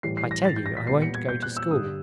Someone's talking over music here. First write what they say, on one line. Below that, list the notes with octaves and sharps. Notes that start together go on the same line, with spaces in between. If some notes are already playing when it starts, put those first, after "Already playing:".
"I tell you I won't go to school."
A2 E3 G3 C7
C7
A#6
A6
G6
A#6
B6
A#2 G3 B3 C7
C#7
G#6
G6
F#6
E6
G2 D3 G3 D#6